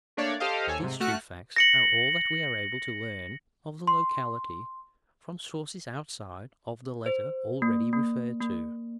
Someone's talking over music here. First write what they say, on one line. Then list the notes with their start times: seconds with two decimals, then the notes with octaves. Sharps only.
These two facts are all that we are able to learn of the locality from sources outside of the letter already referred to.
0.17 A3 A#3 D4 C#5 D5
0.40 G4 A4 C5 D#5 F5
0.67 D#2 A4 C#5 G#5
0.79 G#2 C3
1.00 A3 F#4 F6 F#6
1.56 A#6 C#7 F#7
3.87 C6
7.06 C5
7.62 A#3
7.93 A#3
8.41 A#3